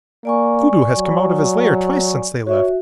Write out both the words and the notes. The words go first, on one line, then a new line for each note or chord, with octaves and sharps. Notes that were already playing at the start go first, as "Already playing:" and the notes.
"Kudu has come out of his lair twice since they left."
A#3 D5 G#5 C#6
F#3
F#4 C#5 E5